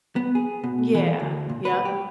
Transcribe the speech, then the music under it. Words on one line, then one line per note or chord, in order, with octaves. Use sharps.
Yeah. Yep.
B3
G#4
B2
E3
D2
A#2
B4
G4